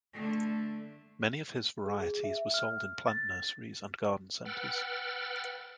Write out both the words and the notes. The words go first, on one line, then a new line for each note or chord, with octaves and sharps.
Many of his varieties were sold in plant nurseries and garden centers.
D3 A3
G#4
E5
F6
A6
B4 F#5 G5 E6 F6 A6